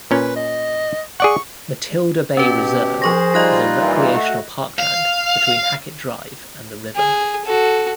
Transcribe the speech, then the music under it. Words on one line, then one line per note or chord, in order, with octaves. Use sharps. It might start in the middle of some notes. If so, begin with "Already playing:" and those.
Matilda Bay Reserve is a recreational parkland between Hackett Drive and the river.
A#2 C#4 B4
D#5
G#4 D5 F#5 C#6
B2 C#4 G4 B4
F3 G#4 C5 C#6 A#6
G3 D#4 F4 D#5 F#6 A#6
A#2 E3
A3 F#4
F5
G#4
F#4 A4